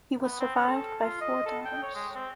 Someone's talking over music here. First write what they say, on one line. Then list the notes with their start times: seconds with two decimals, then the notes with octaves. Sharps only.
He was survived by four daughters.
0.23 B3
0.40 C4
0.56 C#4
0.67 A4
1.02 F4
1.21 D#5
1.46 A4
1.65 G5
1.82 C#5
1.95 G#3
2.15 C4